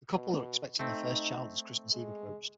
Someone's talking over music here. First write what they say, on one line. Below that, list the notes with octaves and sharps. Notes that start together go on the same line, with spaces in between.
The couple are expecting their first child as Christmas Eve approached.
B2
A3 C4 D#4
G#3